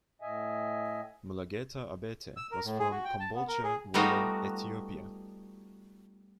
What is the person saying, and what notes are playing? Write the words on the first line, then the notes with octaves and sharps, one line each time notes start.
Mulugeta Abate was from Kombolcha, Wollo, Ethiopia.
A2 D#5 E5 G#5
E6
A#4
A2
G#4
F#4
G5
A5
B3
A#4
G#4
G3 A3 B3 D#4 F4 F#4